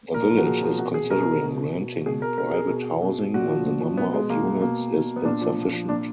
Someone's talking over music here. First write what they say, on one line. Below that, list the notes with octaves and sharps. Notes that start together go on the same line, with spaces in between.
The village is considering renting private housing when the number of units is insufficient.
A#2 A#4
F3
F#4
A#2 G#4
F3
B2 F#4
G#4
B2 A#4
B2
B2
B2 G#4
A#4
B2 A#4
G#4
B2
B2
A#2 F#4
F3
A#2
F3
B2 B3
G#3
B2 A#3
B2 A#3
B2
B3
A#2 D4
F3
A#2
F3
A#2 D4